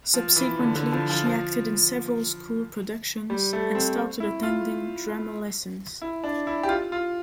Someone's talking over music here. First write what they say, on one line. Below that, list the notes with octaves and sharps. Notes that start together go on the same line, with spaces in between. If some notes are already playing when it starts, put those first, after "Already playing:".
Subsequently, she acted in several school productions and started attending drama lessons.
F3
E3
D3
D3
F3
F3
F3
G3
A3
C4
E4
F4
E4
D4
E4
G4
F4
F4